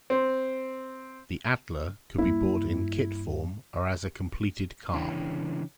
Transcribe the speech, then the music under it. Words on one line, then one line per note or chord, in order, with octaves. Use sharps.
The Atla could be bought in kit form or as a completed car.
C4
G2 A#3 E4
C#3 E3 D4 E4 C#5 G5